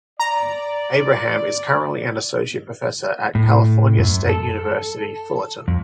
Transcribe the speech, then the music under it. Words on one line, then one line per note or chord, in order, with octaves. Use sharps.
Abraham is currently an associate professor at California State University Fullerton.
D5 A#5
A2
F#2
A4
F2